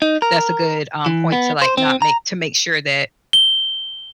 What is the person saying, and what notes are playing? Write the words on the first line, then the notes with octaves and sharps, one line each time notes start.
that's a good, um, point to like, not make to make sure that
D#4
A#4
E3
B3
C5
C4
A#5
G7